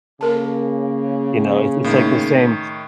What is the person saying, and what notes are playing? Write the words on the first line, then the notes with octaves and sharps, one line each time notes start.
you know? It's it's like the same
C#3 A#3 A4 A#4 A5
A2 D#3